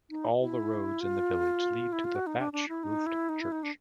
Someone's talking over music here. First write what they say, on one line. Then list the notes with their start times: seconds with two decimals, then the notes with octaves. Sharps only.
All the roads in the village lead to the thatch roofed church.
0.10 D#4
0.40 E4
1.01 F4
1.92 E4
2.04 F4
2.15 F#4
2.27 D#4
2.38 D4
2.53 D4
2.69 E4
2.83 D#4
3.06 E4
3.29 D#4
3.41 E4
3.52 D#4
3.63 D4